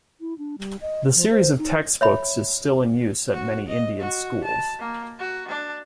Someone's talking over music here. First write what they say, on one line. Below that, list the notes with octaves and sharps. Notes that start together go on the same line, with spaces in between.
The series of textbooks is still in use at many Indian schools.
E4
D4
G3
D#5
F3
C5
D#4
C#5 E5 B5
F#4
D#5
F#4
A5
A#3
F#4
D4